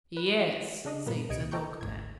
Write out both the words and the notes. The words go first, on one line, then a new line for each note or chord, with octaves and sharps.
"Yes," said the doctor.
B4
C#3 D4 D#5
G2 A#2 A#3 B3
C#2 C3 D#5 G#6 C#7 D7
A4 D#5 G5 A#5 C#6 G6
G#1 D2 G#2 G#6